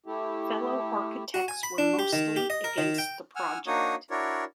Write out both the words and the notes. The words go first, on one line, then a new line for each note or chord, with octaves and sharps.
Fellow architects were mostly against the project.
A3 E4 G4
F#4
G#5
B5
D4
G4
D#3
G4
D#5
A#4
D#3
G5
F#5 G#5 E6 F6
A#3 D4 D#4 F#4 C#5 D#6
D4 E4 F#4 A#4 C#5 D5